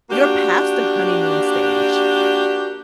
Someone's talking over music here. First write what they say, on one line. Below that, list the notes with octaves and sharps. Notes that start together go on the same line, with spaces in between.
you're past the honeymoon stage.
A#3 D4 F#4 G4